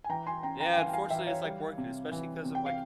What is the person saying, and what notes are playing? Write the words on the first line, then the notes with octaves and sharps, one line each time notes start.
Yeah, unfortunately, it's, like, working, especially 'cause of, like,
G#5
E3 G5 A#5
G#5 C6
C#4 G5 A#5
G5 A#5
G5
E3 F5 G#5
G5
F5 G#5
E3 E5 G5
C#5 F5
G3
C3
E3
C3
G5
F5